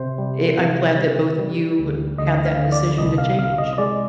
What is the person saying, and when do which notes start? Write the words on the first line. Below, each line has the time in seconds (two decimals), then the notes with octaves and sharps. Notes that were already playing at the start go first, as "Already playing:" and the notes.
eh, I'm glad that both of you had that decision to change,
Already playing: C3 C5
0.18 G3
0.58 C3
0.99 G3
1.38 G3
1.79 D2
2.18 D2 D#5
2.46 F5
2.58 D3
2.72 D5
2.98 C2 D#5
3.18 F5
3.39 C2 F5
3.58 D#5
3.78 G#3 D5